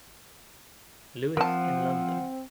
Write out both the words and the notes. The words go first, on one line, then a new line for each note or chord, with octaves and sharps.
Lewis in London.
F3 C4 A#4 F#5 A5